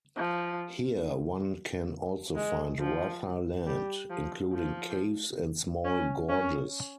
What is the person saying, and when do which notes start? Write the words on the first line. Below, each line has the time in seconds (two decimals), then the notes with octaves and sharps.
Here one can also find rougher land, including caves and small gorges.
0.16 F3
2.36 G#3
2.79 F3
3.67 G3
4.10 F3
4.54 F3
5.85 C#4
6.29 C#4